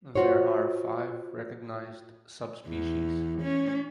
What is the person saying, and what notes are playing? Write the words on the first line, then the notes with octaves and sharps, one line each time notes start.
There are five recognized subspecies.
F4 F#4 C5 C#5
E2
C#4